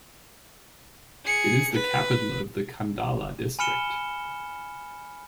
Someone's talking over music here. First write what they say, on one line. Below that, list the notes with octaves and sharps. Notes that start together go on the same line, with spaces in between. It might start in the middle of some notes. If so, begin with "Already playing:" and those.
It is the capital of the Qandala District.
G#4 C#7
B4
G#5 B5 F6 C#7 E7 G7